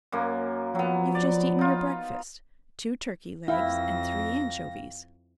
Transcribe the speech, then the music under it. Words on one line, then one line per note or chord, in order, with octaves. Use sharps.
"You've just eaten your breakfast--two turkey eggs, and three anchovies."
F#2 A#3
F3 F#3 B3
D5
D#4 F4
F2 E4 F5 G5 A#6